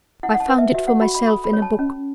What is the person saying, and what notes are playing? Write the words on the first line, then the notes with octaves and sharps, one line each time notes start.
"I found it for myself in a book."
E4 F#5
F#5
A5
B4
E5
F#4 E5
F#5
F#4 B5
B5
A4 B5
B5
C#5
A5
C#4